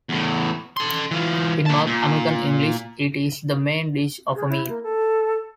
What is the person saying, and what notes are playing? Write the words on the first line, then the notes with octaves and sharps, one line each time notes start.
In North American English, it is the main dish of a meal.
E2 A2
A4 C6
E3 F4
A#3 A5
A#2
G#4
E4
A#3
A4